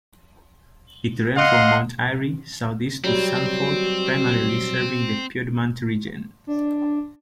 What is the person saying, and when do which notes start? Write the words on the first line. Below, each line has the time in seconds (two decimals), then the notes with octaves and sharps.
It ran from Mount Airy southeast to Sanford, primarily serving the Piedmont region.
1.37 D#5 F5 F#5 C6
3.04 F#3 G3 C4 F#4
6.47 D4